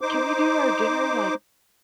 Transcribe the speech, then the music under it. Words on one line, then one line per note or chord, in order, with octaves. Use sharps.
can we do our dinner, like,
D#4 C5 D6